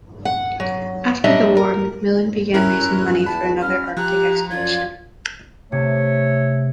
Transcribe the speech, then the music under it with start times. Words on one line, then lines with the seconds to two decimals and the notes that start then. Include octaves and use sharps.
After the war, MacMillan began raising money for another Arctic expedition.
0.25 F#5
0.60 F#3
1.24 F#3 G3 D4 D#5 E5
1.57 A#4
2.54 C#4 E4 A#4 A#5 F#6
2.86 E2
3.26 A5 B5
3.62 C#4 F6
3.97 F3 G4 A#5 F#6
4.50 F#2 F4 D5 F5 G#6
5.72 C3 A3 C#5